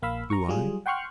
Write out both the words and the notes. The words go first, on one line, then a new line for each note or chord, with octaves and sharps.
"Do I?"
A#1 A#3 F5 B5 E6
A#5 C#6
F#3 G3 F4 G#4
F#5 G5 C6 C#6 F6 F#6